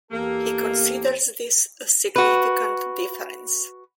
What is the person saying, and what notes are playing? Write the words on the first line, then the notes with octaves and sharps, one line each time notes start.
He considers this a significant difference.
E2 A#3 G4 A4
F#4 B4